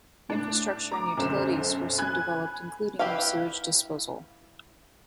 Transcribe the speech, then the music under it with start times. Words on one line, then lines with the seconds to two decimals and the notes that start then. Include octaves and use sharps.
Infrastructure and utilities were soon developed including new sewage disposal.
0.30 A2 D4
0.92 A#5 D6
1.17 B1 F#2 D3 C5 E7
1.98 G#5 B5 F#6 G#6
2.99 E4 G4 B4 F5